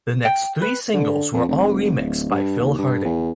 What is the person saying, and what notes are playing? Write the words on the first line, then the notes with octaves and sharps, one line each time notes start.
The next three singles were all remixed by Phil Harding.
G5
B4
D3
F2
F1
D1
G2
D#2
G2
E2